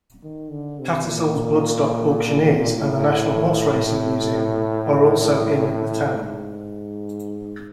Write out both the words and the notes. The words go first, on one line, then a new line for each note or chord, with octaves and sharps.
Tattersalls bloodstock auctioneers and the National Horseracing Museum are also in the town.
D#3
D3
C3
A#2
A2
G#2